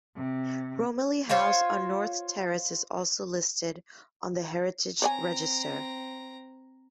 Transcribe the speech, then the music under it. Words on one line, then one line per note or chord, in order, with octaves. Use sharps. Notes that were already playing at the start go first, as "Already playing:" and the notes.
Romilly House on North Terrace is also listed on the Heritage Register.
C3
F4 C5 C#5 F5
C4 C#5 D5 G#5 A#5